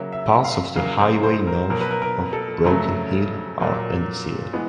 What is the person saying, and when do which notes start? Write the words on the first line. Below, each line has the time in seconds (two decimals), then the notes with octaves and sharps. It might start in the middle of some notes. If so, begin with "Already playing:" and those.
Parts of the highway north of Broken Hill are unsealed.
Already playing: C#3 F#3 A#3 E5
0.12 E5
0.44 F5
0.76 C#3 F#3 A#3 F5
0.99 C5
1.23 C5
1.47 A#4
1.70 B2 F#3 A#3 A#4
1.81 B4
1.91 A#4
2.02 A#4
2.33 A4
2.64 F2 C#3 F#3 A3 A#4
3.59 A#2 F#3 A#3
4.53 E3 G#3 B3